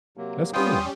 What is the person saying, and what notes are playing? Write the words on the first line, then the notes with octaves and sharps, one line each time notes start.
That's cool.
C3 F#3 A#3
G3 B3 C#4 F4 G4 G5 C6 D#6